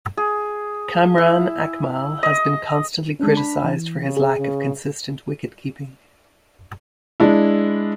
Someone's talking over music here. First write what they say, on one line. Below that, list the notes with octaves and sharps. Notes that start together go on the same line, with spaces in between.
Kamran Akmal has been constantly criticized for his lack of consistent wicket-keeping.
G#4
E4
D#5
G#3 C#4 D4
B5
E3
C#3
G#4
C#3
G#3 D4 E4